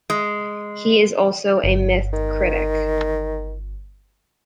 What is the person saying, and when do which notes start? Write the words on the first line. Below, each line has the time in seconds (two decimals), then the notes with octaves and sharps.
He is also a myth critic.
0.10 G#3
1.64 G1
2.13 D#3